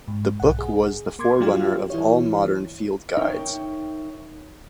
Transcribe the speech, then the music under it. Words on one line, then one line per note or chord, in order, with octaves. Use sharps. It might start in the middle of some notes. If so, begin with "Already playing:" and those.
The book was the forerunner of all modern field guides.
G#2
B1 F#5
G#4
A#3 C6 D6 G#6
F#3 D4 F4 G4 F5
E3 E4 C#5
D#4 A#4 C#5 E5 G5